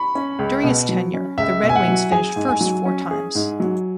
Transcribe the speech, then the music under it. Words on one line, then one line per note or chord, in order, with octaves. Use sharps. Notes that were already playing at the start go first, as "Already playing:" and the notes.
During his tenure, the Red Wings finished first four times.
Already playing: B5 C#6
C#4
C#2
B2
F#3
C#4
C#2 E5
B2
G#5
F#5
F#3
G#4 G#5
G#2
G#5
F#3
C#4
G#4
G#2
F#3